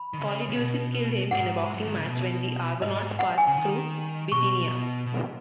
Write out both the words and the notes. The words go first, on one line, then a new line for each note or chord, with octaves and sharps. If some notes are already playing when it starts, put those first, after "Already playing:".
Polydeuces killed him in a boxing match when the Argonauts passed through Bithynia.
Already playing: B5
D#3
C#3
C#3
B2
G#2 F#5
G#3
F#3
D#3
C#3
B2
G#2 D#5
F#5
G#5
C#3
D#3
B2 C#6
B2
B2